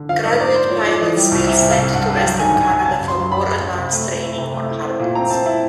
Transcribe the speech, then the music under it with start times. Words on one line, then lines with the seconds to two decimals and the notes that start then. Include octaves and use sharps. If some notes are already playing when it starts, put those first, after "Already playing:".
Graduate pilots were sent to western Canada for more advanced training on Harvards.
Already playing: D3
0.09 F3 F5
0.24 G#2 D#5
0.39 A#3 D5
0.55 A#3 C5
0.71 F3 C#5
0.86 F3 D5
1.01 E3 D#5
1.17 G3
1.32 C2
1.47 C3 E5
1.62 C2
1.70 F5
1.78 C2
1.93 G2 F#5
2.09 G2
2.16 G5
2.24 F#3
2.39 D#3 G#5
2.55 G2
2.63 G#5
2.70 G2
2.79 G#5
2.85 C#3 A5
3.00 F#2
3.08 C6
3.16 F#3
3.31 F#2 B5
3.47 F#2
3.61 F#2
3.77 C3
3.93 A3
4.08 A3
4.24 A3
4.38 C3
4.54 A3
4.69 E4
4.84 C4
5.00 A#2
5.15 C4 A#5
5.30 C4 A5
5.46 E4 A5